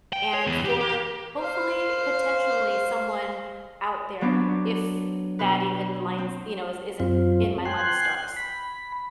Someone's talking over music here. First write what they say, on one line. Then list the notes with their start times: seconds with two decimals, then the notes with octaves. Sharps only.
and for, hopefully, potentially, someone out there if that even lines you know, i isn't in my line of stars.
0.13 G5
0.34 C#5
0.47 E2
0.65 G4
0.81 G4
1.37 C5 F5
4.21 F#3 B3 C4 D4
5.39 B2 B4
6.18 C4
7.00 F#2 C4 F4
7.65 G5 G#5 C6 F#6
8.36 B5